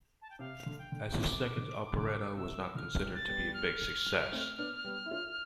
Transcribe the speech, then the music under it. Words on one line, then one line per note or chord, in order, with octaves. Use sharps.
As his second operetta was not considered to be a big success.
A5
G5
C3 F5
D3
G5
D3
C3 E3 D6
D3
D3 D6
C3 E3 E6
D3 F3 F6
E3 G3
A6
G3 B3
F6
A3 C4
B3 D4
G3 B3
E4
D4 F4